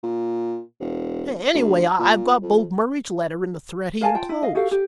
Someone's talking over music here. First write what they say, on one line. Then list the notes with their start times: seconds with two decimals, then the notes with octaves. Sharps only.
Anyway, I've got both Murray's letter and the threat he enclosed.
0.03 A#2
0.80 E1
1.54 D2
1.99 A#2
2.42 F2
4.01 A#4 F5 G#5 A5
4.15 F4 G5 A5
4.29 E4
4.43 D#5 F5
4.55 F#4 G4 A4 F5
4.71 G4